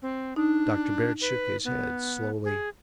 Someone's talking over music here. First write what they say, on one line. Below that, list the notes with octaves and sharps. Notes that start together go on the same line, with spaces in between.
Dr. Bird shook his head slowly.
C4
D4 D#4
B4
B3
G#4